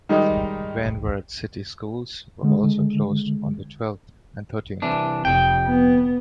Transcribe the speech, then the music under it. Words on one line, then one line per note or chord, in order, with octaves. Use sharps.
Van Wert city schools were also closed on the twelfth and thirteenth.
D#3 G3 G#3 D#4
D3 G#3
C2 E3 D4
F1 F2 G5
B3